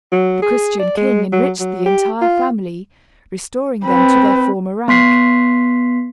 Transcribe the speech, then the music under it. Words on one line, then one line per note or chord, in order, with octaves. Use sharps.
The Christian king enriched the entire family, restoring them to their former rank.
F#3
G#4
D5
G#3
F#3
F#3
G4
F4
C4 B4
B3 C6 B6 C7